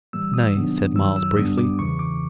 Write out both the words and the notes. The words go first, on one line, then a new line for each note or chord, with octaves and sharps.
"Nay," said Myles, briefly.
A2 E3 G3 A#3 E6
D#6
C3 D#3 F#3 B3 D4
F#2 D#3 F#3 E6
E6
G2 D3 G3 B3 D4 D#6
D6
E2 C#3 E3 C#6
D6